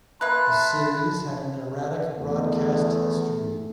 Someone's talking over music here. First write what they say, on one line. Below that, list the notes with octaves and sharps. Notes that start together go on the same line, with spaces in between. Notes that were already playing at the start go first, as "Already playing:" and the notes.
The series had an erratic broadcast history.
A#3 B4 E5 A5 B5 C6 F#6
E2 A3